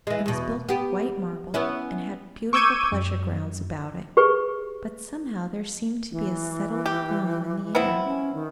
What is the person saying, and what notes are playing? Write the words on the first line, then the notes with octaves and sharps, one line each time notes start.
It was built of white marble, and had beautiful pleasure-grounds about it, but somehow there seemed to be a settled gloom in the air.
E3 G#3
E2 B2
B3 G4
B3 C#4 E4
C#6 D6 E6 G6 G#6 D#7
F#2
G4 G#4 B4 C#6
E3
G4
B3 C4 E4
C#4
D#3